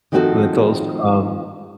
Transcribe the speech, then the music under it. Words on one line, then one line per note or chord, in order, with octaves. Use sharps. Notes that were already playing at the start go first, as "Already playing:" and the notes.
Lentils, um
D#3 F3 A3 C4 F#4 A4